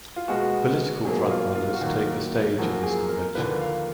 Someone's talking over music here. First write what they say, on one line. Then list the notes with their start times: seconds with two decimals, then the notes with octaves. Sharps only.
Political front runners take the stage at this convention.
0.16 F4
0.28 B2 G#3 B3 F#4
1.05 B2 F#3 A#3 G#4
1.30 F4
1.55 F4
1.74 F#4
1.81 D#2 D#3 F#3 F4
2.58 F#2 F3 A#3 F#4
2.83 G#4
3.09 A#4
3.35 D#2 D3 F3 A#3 B4
3.61 F5